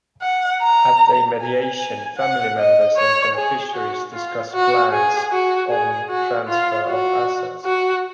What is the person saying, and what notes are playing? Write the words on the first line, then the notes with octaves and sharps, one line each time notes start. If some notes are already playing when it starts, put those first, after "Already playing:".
At a mediation, family members and beneficiaries discuss plans on transfer of assets.
F#5
A#5
G#5
G#5
F#5
D#5
C#5
G#4
F#4
F4
F#4
G#4
F#4
G#4
F#4
F4
F#4
F#4